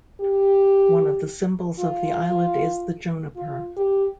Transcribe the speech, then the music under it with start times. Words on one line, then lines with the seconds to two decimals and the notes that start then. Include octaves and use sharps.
One of the symbols of the island is the juniper.
0.21 G4
1.79 F4
3.36 F4
3.76 G4